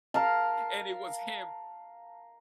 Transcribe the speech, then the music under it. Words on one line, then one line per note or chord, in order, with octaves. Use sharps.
And it was him.
A#4 F5 A5